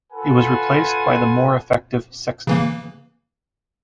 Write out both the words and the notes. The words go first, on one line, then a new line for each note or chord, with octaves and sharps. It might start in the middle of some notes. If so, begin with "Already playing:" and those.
It was replaced by the more effective Sexton.
F4 A4 B4 F#5 G#5 C6
C#3 E3 A#3